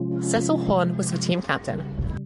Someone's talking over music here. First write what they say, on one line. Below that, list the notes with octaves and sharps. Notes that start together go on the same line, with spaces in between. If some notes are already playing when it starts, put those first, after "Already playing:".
Cecil Horne was the team captain.
Already playing: C3 F3 G#3 C#4 F4
C#3 G3